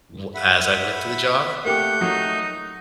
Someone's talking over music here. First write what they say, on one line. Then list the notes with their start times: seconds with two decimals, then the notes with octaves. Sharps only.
w as I went to the job.
0.35 E5 F#5 B5
1.65 A3 A#3 G4 F#5 G6
2.01 F#3 D#4